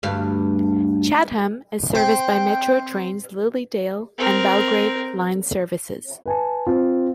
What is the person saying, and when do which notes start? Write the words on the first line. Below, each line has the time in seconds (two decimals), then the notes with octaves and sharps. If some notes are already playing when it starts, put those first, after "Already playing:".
Chatham is serviced by Metro Trains' Lilydale and Belgrave line services.
0.03 D2 G2 F5
1.95 C4 G5
4.18 C4 A#4
6.26 B4 G#5 A5
6.67 C4 F4